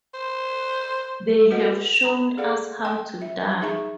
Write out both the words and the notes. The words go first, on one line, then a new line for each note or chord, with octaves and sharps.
They have shown us how to die.
C5
F#4 A4 B4 D#5 F#5
A#5
G#4 A4 D5 F5 F#5
G5
E5
D#4 G#4 E5 A#5 C#6